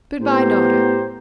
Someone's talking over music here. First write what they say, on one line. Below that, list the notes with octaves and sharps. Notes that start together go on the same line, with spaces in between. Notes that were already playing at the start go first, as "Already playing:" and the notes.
Good-bye, daughter.
A2 B3 G4 C5 A#5